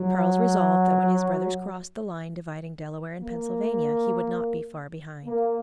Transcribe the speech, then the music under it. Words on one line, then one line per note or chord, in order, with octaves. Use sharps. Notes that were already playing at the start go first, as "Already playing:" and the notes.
Charles resolved that when his brothers crossed the line dividing Delaware and Pennsylvania, he would not be far behind.
Already playing: F#3
A#3
A#3